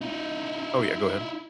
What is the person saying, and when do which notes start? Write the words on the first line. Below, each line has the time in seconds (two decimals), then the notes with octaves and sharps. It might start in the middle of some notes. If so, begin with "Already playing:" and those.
oh, yeah, go ahead.
0.01 D#4 E4